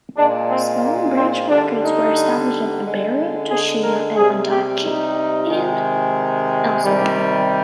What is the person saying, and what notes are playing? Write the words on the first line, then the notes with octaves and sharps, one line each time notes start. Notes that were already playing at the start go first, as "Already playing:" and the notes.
Smaller branch markets were established in Ebara, Toshima, and Adachi, and elsewhere.
A#2 G#3 D4
C4
A#3
C4
D3 G3 D4
D#4
D3 G#3
G#4
A#4
C3 G3 G#4
G4
D#4
C3 D#3 G#3
C3 D#3 G3